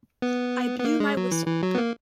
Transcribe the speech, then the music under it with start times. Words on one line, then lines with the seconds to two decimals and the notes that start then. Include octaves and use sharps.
I blew my whistle.
0.22 B3
0.80 B3
0.85 A#3
1.00 G#3
1.17 F#3
1.32 E3
1.47 E3
1.63 F#3
1.75 B3
1.78 A#3